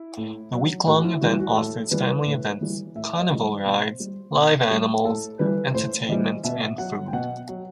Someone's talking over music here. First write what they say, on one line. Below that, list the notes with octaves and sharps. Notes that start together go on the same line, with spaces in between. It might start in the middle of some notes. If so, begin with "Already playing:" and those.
The week long event offers family events, carnival rides, live animals, entertainment and food.
Already playing: E4
A2
F#3
A2 F#4
E4
E3 G3 F#4
F#4
A2 A4
E3 G3 B4
A2
E3 G3
A2 E5
D#5
E3 G3
C5
B2
G3
B2
G3
A2 A4
E3 G3 B4
A2 C5
E3 G3 D#5
B2 E5
F#3 F#5
G5
B2 F#5
F#3